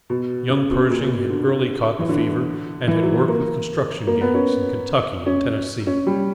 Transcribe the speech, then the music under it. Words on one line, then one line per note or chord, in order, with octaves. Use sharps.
Young Pershing had early caught the fever, and had worked with construction gangs in Kentucky and Tennessee.
B2
C#3
B2
A#2
B2
D3
E3
D3
E3
F#3
F#3
A#3
A#3
B3
C#4
C#4
C#4
G3